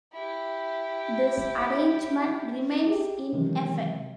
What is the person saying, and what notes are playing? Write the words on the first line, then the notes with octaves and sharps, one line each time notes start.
This arrangement remains in effect.
E4 G4
G4 G#4
C3 D#3 E3 F#3 G#3